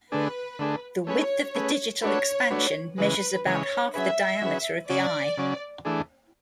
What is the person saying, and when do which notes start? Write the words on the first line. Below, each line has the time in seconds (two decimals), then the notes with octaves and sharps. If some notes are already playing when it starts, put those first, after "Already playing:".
The width of the digital expansion measures about half the diameter of the eye.
0.11 D3 A3 D4 G#4 B4
0.59 D3 A3 D4 G#4
1.07 A3 C#4 G#4 B4 C#5
1.55 A3 C#4 G#4 B4
2.02 A3 D4 F#4 B4 C#5
2.50 A3 D4 F#4 B4
2.98 C#3 E3 G#3 B4
3.46 C#3 E3 G#3 C#5
3.94 F#3 C#4 G#4 B4 E5
4.42 F#3 C#4 G#4 B4
4.89 C#3 F#3 C#4 D5
5.37 C#3 F#3 C#4
5.85 E3 A3 D4 G#4